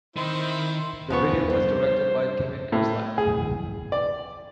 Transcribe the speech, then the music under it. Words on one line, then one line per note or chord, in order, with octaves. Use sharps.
The video was directed by Kevin Kerslake.
D#3 C4 E4 C5
E2 F3 B3 F5 C#6
G2 C5
A2
G#4
D5